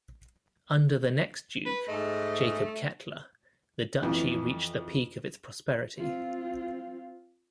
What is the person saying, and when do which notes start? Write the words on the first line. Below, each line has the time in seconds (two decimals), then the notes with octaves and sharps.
Under the next duke, Jacob Kettler, the Duchy reached the peak of its prosperity.
1.66 B4
1.88 G#2 A3 D#5
4.02 F2 E3
5.96 C4 F4